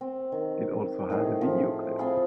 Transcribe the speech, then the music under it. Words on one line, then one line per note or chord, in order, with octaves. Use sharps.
It also had a video clip.
C4
D#3
A2 D#3 G#4
F3
C4 F4 G#4 B5